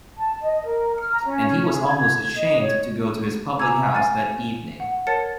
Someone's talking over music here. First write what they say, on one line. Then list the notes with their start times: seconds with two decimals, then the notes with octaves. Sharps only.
And he was almost ashamed to go to his public-house that evening.
0.17 A5
0.41 D#5
0.64 A#4
0.96 F6
1.12 A#5
1.25 C#4
1.72 G#4
1.84 G#6
2.34 D#5
2.61 C#5
3.60 G#5 A#5 D6 E6 G#6
3.95 F5 G#5 F6 A6
4.80 F#5
5.07 A#4 C#5 A5 A6 C#7